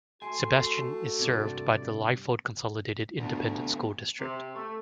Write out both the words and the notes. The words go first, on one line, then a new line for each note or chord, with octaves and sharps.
Sebastian is served by the Lyford Consolidated Independent School District.
A3 F#4 G#5 C6
G2 C3 D5
D2 D3 B3
C3
A3